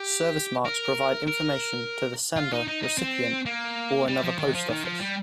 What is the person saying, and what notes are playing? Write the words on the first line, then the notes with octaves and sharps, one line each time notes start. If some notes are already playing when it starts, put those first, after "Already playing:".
Service marks provide information to the sender, recipient, or another post office.
Already playing: G4
A#4
A#4
F4
D#4
D#4
D#4
C4
A#3
G3
F3
D#3
F3
D#3
F3
G3